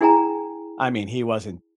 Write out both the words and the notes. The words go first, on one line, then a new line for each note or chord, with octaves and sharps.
I mean, he wasn't
D4 E4 G#4 G5 G#5 A#5